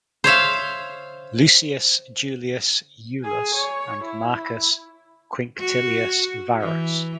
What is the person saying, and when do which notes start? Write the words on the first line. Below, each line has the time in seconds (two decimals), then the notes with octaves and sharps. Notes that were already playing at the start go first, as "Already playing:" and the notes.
Lucius Julius Iulus and Marcus Quinctilius Varus.
0.24 C5 C#5 E5 F5
3.24 G#4 G#5
3.55 C#5
4.04 E4
5.59 F#4
6.61 E3